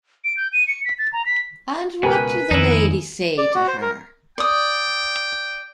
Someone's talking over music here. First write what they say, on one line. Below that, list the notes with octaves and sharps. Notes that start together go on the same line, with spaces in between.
And what did the lady say to her?
D7
G6
D#7
C#7
B6
A6
A#5
B6
C#2 B2 A#4 B4 G#5
F2 D#3 D#4 E4
D5
F#4
C5
A#4
D5 G5 D#6